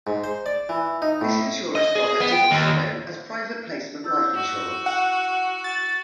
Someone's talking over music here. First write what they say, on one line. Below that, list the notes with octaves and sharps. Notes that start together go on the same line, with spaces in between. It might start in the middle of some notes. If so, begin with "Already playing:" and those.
This insurance product is also known as Private placement life insurance.
G#2
C5
D5
E3
D#4
A2
D#5
G#4
B3
G5
D#2
E4 E6 G6
F#4
F#5
A6